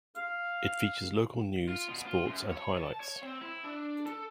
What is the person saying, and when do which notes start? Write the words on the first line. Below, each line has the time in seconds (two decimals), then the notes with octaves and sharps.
It features local news, sports, and highlights.
0.17 F5
1.68 F4
1.88 B2
2.06 F4
2.26 F#2
2.50 C#5
2.78 A5
3.00 C#5
3.23 C4
3.41 E4
3.64 D4
4.06 A4